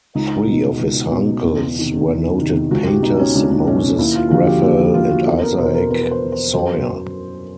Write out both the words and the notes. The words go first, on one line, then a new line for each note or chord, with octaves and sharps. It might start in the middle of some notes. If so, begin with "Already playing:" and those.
Three of his uncles were noted painters, Moses, Raphael, and Isaac Soyer.
C#2 D#4
B2
C#2
B2
E2 E4
C3 D#3
E2
C3 D#3
C#2 F#4
G4
B2 D#4
C#4
C#2 D4
C#4
B2 C#4
D#2 E4
F4
D3 F3 F#4
G4
D#2 G4
F#4
D3 F3 F4
F#4
E2 A4
A#4
B2 C5
A#4
E2 B4
B4
C5
B2
C5
F#2 C5